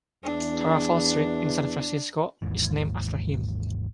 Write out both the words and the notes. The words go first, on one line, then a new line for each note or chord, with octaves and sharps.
Taraval Street in San Francisco is named after him.
E2 D4
G#1 D#2 G#2 E3